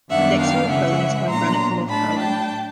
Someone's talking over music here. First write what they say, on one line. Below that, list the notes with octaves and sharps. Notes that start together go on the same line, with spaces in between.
The exterior of the building is covered in granite from North Carolina.
F#2 D#3 G3 B3 D4 E5 F#5
F5 G5
C#3 E3 G#3 E5 F#5
A#2 F#3 B3 D4 A#5 C6
A2 F#3 A3 D4 A5 B5
G5 A5